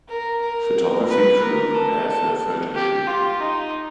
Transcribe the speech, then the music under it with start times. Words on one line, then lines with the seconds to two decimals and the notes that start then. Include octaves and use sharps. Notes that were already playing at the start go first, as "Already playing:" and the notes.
Photography crew prepare for a photo shoot.
0.08 A#4
0.41 A#4
1.08 B4
1.42 A#4
1.74 A4
2.07 A4
2.74 G4
3.07 F4
3.40 D#4